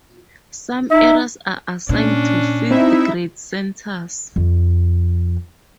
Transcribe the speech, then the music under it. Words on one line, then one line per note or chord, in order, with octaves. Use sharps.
Some areas are assigned to fifth grade centers.
D#4 E5
A#2 C#4 D4
C4 D#4 E4 E5
F2